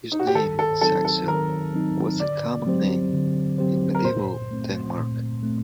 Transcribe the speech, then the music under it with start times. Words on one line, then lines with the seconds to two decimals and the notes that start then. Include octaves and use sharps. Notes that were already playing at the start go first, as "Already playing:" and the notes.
His name Saxo was a common name in medieval Denmark.
0.12 D#4
0.19 F#4
0.27 G4
0.35 D#3 A4
0.59 A4
0.81 F#3 C4 D#4 A4
1.05 A4
1.28 D#3 A#4
1.74 F#3 C4 D#4
2.20 D3 D5
2.66 F#3 C4 G4 C5
3.13 D3
3.58 F#3 C4 G4 C5
3.95 A#4
4.05 A#2 C5
4.51 A3 C4
4.97 A#2
5.43 A3 C4